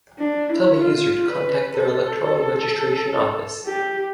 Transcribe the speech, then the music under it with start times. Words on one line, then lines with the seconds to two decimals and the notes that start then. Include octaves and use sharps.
Tell the user to contact their electoral registration office.
0.18 D4
0.49 E4
0.81 F4
1.28 B4
1.76 A4
3.65 G4